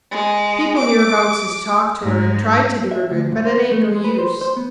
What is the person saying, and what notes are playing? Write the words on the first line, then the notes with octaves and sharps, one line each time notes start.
People hereabouts has talked to her and tried to do her good, but it ain't no use.
G#3
D6
G#2
E5
D2
G#2
C5
B3
A3
G#3
B4
C5
C5
B3